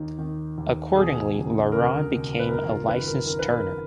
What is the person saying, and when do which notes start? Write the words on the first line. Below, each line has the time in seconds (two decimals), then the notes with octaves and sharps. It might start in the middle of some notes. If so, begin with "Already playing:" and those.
Accordingly, Laron became a licensed turner.
Already playing: D#2 D#3
0.19 D#3
0.58 D#2
0.95 B2 G#4
1.34 C#2
1.72 C#2 A#4
2.12 B2
2.39 B4
2.49 F#1 A#4
2.69 F4
2.88 D#3 B4
3.08 A#4
3.26 D#3 A#4
3.39 B4
3.53 A#4